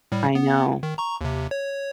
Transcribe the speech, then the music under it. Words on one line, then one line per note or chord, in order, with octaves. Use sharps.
I know.
A2 G3
B3
D#3
A#5 C#6
D#2 C3
C#5